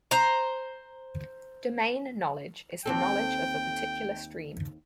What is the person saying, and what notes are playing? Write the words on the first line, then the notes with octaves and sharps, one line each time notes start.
Domain knowledge is the knowledge of a particular stream.
C5 A#5
D#2 C4 A4 G5